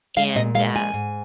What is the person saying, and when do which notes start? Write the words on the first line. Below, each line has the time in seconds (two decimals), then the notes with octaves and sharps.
and, uh,
0.17 G#3 F5
0.36 A#2 D#5
0.55 G#3 F5
0.75 A#2 G#5
0.94 G#2